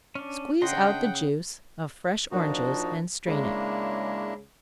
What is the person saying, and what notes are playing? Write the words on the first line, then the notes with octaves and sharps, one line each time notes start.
Squeeze out the juice of fresh oranges, and strain it.
C#4 D4
C#3 D4 D#5 F#5 G5 C6
A#2 F3 D4 D#4 F#4
C#3 G#3 A#3 D4 E4